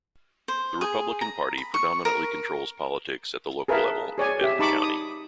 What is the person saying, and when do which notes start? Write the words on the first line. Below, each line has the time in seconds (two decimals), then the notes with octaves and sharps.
The Republican Party predominantly controls politics at the local level in Benton County.
0.48 C5
0.81 G#4
1.21 A#5
1.58 B5
1.74 C#6
2.05 A#4
3.68 G#4 A#4 B4 E5 F5 A5
4.18 G#4 C#5 D5 G#5
4.41 G4 E5
4.59 D#4 G4 A5 B5 C#6 D6
4.82 D#6